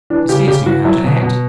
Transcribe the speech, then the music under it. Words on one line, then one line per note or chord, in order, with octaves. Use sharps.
He scarce knew how to act.
E3 D4
C#3 G4
C#3 G4
E3 F#4
F#3 E4
B2
B2